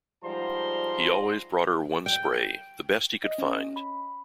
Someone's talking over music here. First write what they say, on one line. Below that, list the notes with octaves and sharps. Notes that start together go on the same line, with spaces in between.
He always brought her one spray, the best he could find.
G#2 F3 G3 C5 A#5 C6
G5
D#5
C#4
B5